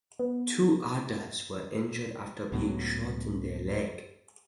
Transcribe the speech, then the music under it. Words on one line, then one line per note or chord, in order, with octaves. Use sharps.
Two others were injured after being shot in the leg.
B3
C#2 A2 F#3 B3